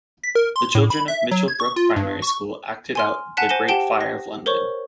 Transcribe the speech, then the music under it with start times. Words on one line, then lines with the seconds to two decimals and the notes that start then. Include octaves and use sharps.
The children of Mitchell Brook Primary School acted out The Great Fire of London.
0.23 B6
0.35 A#4
0.56 C6
0.75 A2
0.90 B5
1.08 E5
1.31 F#3
1.48 G#6
1.60 C#6
1.76 F4
1.96 G2
2.22 C#6
2.95 G#5 C6 F6
3.37 F#5 G#5 A5 F#6 B6 C#7
3.49 C5 G#5 A#6 C#7 E7 G7
3.68 G4 F#5 G5 A5 D7 G7
4.01 A#6
4.46 A#4 C5 C#5 C#6